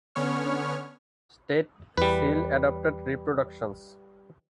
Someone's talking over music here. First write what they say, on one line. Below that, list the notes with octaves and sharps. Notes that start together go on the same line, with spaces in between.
State seal adopted-Reproductions.
D3 B3 C#4 C#5 F6
E2 G3 B4